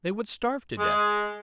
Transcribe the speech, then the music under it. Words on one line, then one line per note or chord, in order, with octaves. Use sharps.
They would starve to death.
G#3